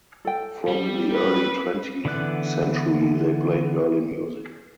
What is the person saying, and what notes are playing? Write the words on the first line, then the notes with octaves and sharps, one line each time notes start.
From the early twentieth century they played early music.
A4 G5
G3
B4
D3 E3 B3 D5 F#6